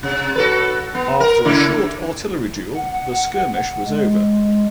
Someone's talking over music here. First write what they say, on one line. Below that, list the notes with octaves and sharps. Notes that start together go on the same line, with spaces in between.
After a short artillery duel the skirmish was over.
C3
F#4 A4 B4
B3
A#4
C#3 E4
F#5
G#3